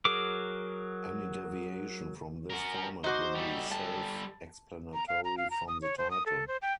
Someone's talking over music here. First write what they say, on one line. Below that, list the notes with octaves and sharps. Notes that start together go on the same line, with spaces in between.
Any deviation from this format will be self-explanatory from the title.
F#3 G#4 A#4 D6
F#4 A#4
D#4 F#4 C5 D6
G3 A4
A5
A#5
F5
A#5
F5
A#5
D#6
C#5
C5
D#6
A4
C5
G5